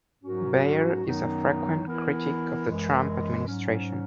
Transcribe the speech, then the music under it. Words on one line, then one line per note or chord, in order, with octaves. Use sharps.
Beyer is a frequent critic of the Trump administration.
G#2 F#3 C#4 F#4 A#4
F#2 D#3 F#3 B3 D#4
E3 B3 E4 A#4
F#2 E3 G#3
G#2 F#3 C#4